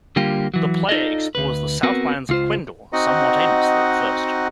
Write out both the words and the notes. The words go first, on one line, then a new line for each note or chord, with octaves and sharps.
The player explores the Southlands of Quendor somewhat aimlessly at first.
D3 G3 A#3 F4 G4
E3 F#3
D#4 F4 A4 D5 D#5
D2 B4
B3 C4 F#4 A#4 B4
C#2 F4 C5
C4 D#4 F#4 D#5 F#5